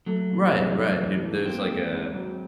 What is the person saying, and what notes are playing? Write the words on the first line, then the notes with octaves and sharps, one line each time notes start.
Right, right. Y if there's like a
F#3 A3
A#2
C2
A2
E3
A2
A#3 C4
G#2
G#1
F#3